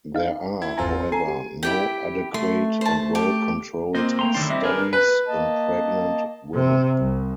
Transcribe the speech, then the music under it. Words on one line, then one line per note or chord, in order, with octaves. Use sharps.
There are, however, no adequate and well-controlled studies in pregnant women.
D#4 F5
E4 G#6
G#1 E2 C4 F4 A4 C5 G#5 A#5
A4 G#5 A#5 C7
G4
E4 G4 G5
A3 C6
C5 A5
G4
A#2 A#3 C4 C5 D#5
A3 A#3 G5 A#5 C6
F#2 D3 D#3 D4 E4 D5 C6 C7
G3 C4 D#5 E5 A#6
B3 D4 G#4 A#4 B4
B4
A#3 D#5 A5
C3
C2